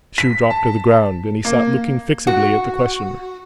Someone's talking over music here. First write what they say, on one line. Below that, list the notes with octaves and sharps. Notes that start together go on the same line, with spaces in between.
The shoe dropped to the ground, and he sat looking fixedly at the questioner.
B6
A5
A#3
F#4